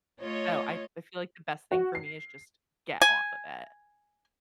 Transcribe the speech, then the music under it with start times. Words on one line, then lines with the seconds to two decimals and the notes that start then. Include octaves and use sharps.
So, I I feel like the best thing for me is just get off of it.
0.21 A3 F4 C#5 D#5
1.72 F#4
1.95 C7
3.02 G#5